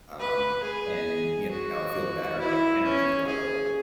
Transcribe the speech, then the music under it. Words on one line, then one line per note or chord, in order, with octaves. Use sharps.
um, and, you know, I feel better, like, energy level
B4
G#4
F#4
E4
C#4
G#4